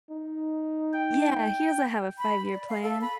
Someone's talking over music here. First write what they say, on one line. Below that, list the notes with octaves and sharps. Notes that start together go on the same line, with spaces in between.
Yeah, he doesn't have a five-year-plan.
D#4
G5
B5
D5
F5
A4
B5